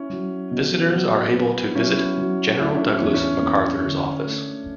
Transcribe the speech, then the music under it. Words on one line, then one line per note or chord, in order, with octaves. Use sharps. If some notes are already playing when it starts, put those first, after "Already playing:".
Visitors are able to visit General Douglas MacArthur's office.
Already playing: C#4 E4
F#3
B2
F#3
B3
F#3 C#4 E4
F#3
A3 E4
D4
C#4 E4
C#4
E2
C#4
E2
D3
A3